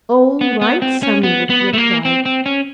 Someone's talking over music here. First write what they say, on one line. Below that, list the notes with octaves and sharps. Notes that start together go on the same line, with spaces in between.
"All right," Sammy would reply.
B3
B3
C4
C#4
B3
B3
A3
A#3
C4
C4
C#4